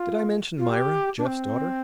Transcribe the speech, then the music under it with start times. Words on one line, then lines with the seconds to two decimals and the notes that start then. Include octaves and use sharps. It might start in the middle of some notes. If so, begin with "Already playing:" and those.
Did I mention Myra, Jeff's daughter?
Already playing: F4
0.57 F4
0.69 G4
1.18 D4
1.25 C4